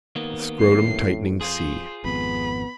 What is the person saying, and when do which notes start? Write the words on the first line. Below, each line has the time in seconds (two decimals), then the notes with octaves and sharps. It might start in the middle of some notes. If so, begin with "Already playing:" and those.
The scrotumtightening sea.
0.16 D#3 A#3 B3
0.60 F2 A2 C7
1.41 F4 G#4 C5
2.04 G#1 F2 B3 B5